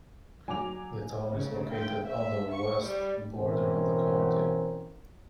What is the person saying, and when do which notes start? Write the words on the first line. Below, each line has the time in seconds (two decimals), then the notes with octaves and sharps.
The town is located on the west border of the county.
0.48 F#3 G#5 D6 F7
1.33 C#3
1.73 G5
2.06 E5
2.53 C#6
2.83 G3
3.37 B2 E3 C4 C#4 A#4